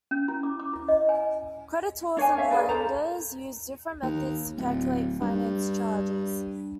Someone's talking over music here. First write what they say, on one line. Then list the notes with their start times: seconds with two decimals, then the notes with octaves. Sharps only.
Creditors and lenders use different methods to calculate finance charges.
0.11 C#4
0.28 E4
0.43 D6
0.60 D6
0.73 E4
0.88 D#5
1.09 G#5
2.17 D4 C#5 F5 G#5
2.37 C#5 E5 F5
2.51 G#4 A#4 B4 D5
2.69 A4 A#4 C5 A#5
4.02 D#2
4.57 D1
5.21 G2